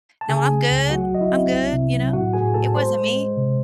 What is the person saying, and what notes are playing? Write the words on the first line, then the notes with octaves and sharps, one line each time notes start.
"No, I'm good, I'm good, you know? It wasn't me."
A5
C#3 G#4 G#5
A3
C#2
F#3 F#4 F#5
A1 D#5
E4 E5
C4
C2
C3
F#3
A2 F#4 F#5
A2 G#4 G#5
A2 A4 A5
G#3 C5 C6
G#3
G#3
C3